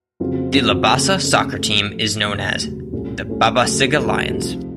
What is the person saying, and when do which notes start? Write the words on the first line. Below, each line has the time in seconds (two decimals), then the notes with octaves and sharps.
The Labasa soccer team is known as the "Babasiga Lions".
0.20 F2 C#3 F#3 C4 F4
0.54 F2 C#3 F#3 C4 F4
0.88 F2 C#3 A3 C#4
1.23 F2 C#3 A3 C#4
1.56 A1 A2 F3 A3
1.91 A1 A2 F3 A3
2.24 F1 D#2 C#3 F#3
2.58 F1 D#2 C#3 F#3
2.93 C2 A#2 A3 C#4 F4
3.27 C2 A#2 A3 C#4 F4
3.61 D#2 C#3 F#3 A3 C#4
3.96 D#2 C#3 F#3 A3 C#4
4.29 C2 C3 F3 A3 D#4